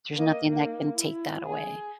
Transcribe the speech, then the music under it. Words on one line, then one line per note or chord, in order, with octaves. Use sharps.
There's nothing that can take that away,
A#3 D#5
A#3 D#4
E4
G#4